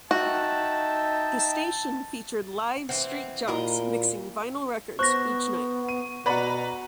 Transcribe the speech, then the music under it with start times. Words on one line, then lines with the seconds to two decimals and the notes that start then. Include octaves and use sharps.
The station featured live street jocks mixing vinyl records each night.
0.11 D#4 F#4 E5 G5 A5
2.89 E3 C4 F#5
3.48 A#2 E4 F#4 A#4 D#5 A#5 B5
4.99 B3 C5 C#6 F#6 A#6
5.89 D#7
6.26 B2 B4 D5 F#5 A#5 B5